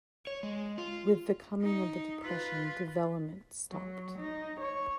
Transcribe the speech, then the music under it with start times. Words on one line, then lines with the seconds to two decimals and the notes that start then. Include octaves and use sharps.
With the coming of the Depression, development stopped.
0.27 C#5
0.43 G#3
0.78 F4
1.62 D#4
2.24 F4 B4
3.71 F#3
4.19 D#4
4.61 C#5